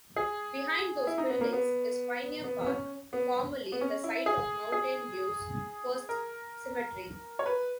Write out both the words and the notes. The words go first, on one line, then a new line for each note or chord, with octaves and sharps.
Behind those buildings is Pioneer Park, formerly the site of Mountain View's first cemetery.
G#4
E4
D#4
B3
A#3
B3
B3
B3
C#4
B3
B3
C#4
E4
G#4
G#4
A#4
C#5
B4